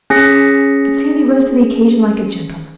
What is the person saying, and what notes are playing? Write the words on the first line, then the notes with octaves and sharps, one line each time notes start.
But Sandy rose to the occasion like a gentleman.
C#4 G#4 A#6 B6 C#7